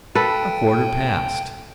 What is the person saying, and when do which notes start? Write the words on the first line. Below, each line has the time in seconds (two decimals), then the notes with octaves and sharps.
A quarter past.
0.15 A4 B4 F5 G5